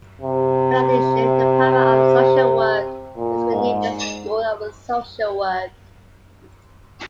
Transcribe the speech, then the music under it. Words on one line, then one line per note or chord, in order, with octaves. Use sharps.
In addition, the Department of Social Work was renamed the School of Social Work.
C3
A#2
G#2